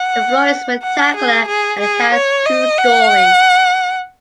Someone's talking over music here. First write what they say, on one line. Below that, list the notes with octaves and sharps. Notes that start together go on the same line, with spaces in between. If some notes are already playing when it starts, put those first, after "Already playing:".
The floor is rectangular and it has two stories.
Already playing: F#5
F#5
G#4
G#4
G#4
C#5
D#5
F#5